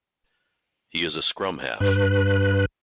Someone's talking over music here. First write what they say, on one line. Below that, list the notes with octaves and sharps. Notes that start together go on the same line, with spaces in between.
He is a scrum half.
G2 B4